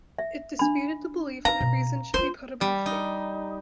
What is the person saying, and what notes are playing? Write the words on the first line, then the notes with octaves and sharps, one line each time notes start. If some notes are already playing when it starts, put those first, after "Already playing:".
It disputed the belief that reason should be put above faith.
E5
D4 B5
D#4 B4 F5 A#5
B2
E4 F4 C5
G3
D#4